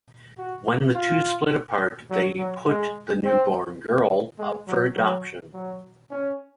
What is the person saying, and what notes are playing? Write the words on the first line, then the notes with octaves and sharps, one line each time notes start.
When the two split apart, they put the newborn girl up for adoption.
F#4
F4
F#3
F#3
G#3
C4
G#3
F#3
F#3
F#3
C#4